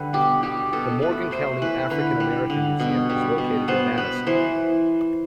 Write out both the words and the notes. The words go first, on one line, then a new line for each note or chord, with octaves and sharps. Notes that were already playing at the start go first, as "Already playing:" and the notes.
The Morgan County African American Museum is located in Madison.
Already playing: D3 G3 A4 B4
B2 G4
G3 G4
B2 A4
A3 B4
A3 C5
E3 B4
D3 B4
G3
D3
B2
G3
B2
B3 C5
B3 B4
E3 C5